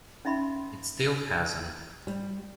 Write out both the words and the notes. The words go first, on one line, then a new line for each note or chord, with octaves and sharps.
It still hasn't.
C#4 D#4 E5 B5 C6
G3